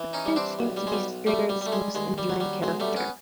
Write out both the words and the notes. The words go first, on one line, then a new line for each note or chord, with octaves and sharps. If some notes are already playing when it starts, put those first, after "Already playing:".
Brickman seems to be Stringer's most enduring character.
Already playing: E3
C#4 D#4
G3
C4 D4
B1
G3
G#3
B1 G3
G3 A3
G3
G3 A3
G#3
D#2 G#3
G3
F#3
G3
B1 G#3
G3 A3
B3 C#4